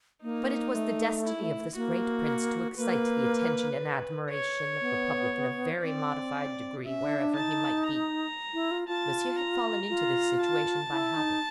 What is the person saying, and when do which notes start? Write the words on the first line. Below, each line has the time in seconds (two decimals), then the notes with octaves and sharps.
But it was the destiny of this great prince to excite the attention and admiration of the public in a very modified degree wherever he might be. Monsieur had fallen into this situation by habit.
0.23 A#3 D#4
0.73 A3
1.25 E4
1.76 A#3 F#4
2.77 A#3 B4
4.30 C#5
4.81 B3
5.82 C4 D5
6.84 C#4 E5
7.02 D4
7.18 D4
7.35 D#4 A5
7.86 A#5
8.54 E4
8.71 F4
8.88 F4 A5
9.39 A#5
9.89 F4
10.41 A5
10.91 E4
11.17 D#4